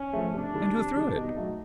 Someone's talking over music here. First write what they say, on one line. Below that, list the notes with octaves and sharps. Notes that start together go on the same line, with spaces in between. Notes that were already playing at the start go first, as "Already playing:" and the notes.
"And who threw it?"
Already playing: C#4
F3 A3
C3 D4
D#3 G3
C3
D#3 G3
B2 D#4
F#3 A3